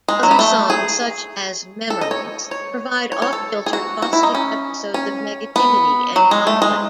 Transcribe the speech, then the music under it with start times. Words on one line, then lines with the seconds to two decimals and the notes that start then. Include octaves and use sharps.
Other songs, such as "Memories", provide off-kilter, caustic episodes of negativity and conflict.
0.08 G#3
0.23 F#3
0.31 B3
0.39 A3
0.70 G#4
1.90 A4
2.01 D#5
2.11 C#5
2.51 C#5
3.12 C#5
3.22 C#5
3.33 A4
3.66 G#4
3.73 F#4
4.02 F#4
4.13 E4
4.23 D#4
4.34 C#4
4.94 C#4
5.56 B3
6.16 F#3
6.31 G#3
6.47 A3
6.62 G#3